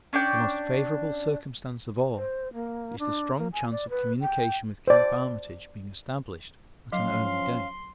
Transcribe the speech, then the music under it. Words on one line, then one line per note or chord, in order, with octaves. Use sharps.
The most favourable circumstance of all is the stronge chance of communication with Cape Armitage being established at an early date.
C#4 D4 D5 G5
C5
A#3
D4
A#3
G#5
D5
B4
G5
C5 D5
F3 F#3 C#4 F5 C6